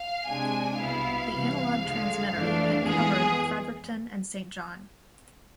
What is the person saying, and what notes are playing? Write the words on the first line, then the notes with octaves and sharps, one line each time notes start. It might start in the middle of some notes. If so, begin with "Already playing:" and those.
The analog transmitter had covered Fredericton and Saint John.
Already playing: F5
C3 G#3 D4 G#5
C2 B2 B3 E4 F5
C2 C3 E3
F2 D3 G#3
F2 E3 A3 D4
F2 E3 G#3 B3 G#4